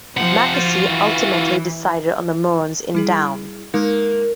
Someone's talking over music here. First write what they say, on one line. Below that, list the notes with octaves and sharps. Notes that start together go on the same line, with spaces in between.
Macassey ultimately decided on the Mournes in Down.
C3 F3 C5 F#5
F4 F#4
E3
G3 E4 G#4
G#3 A#3 D#4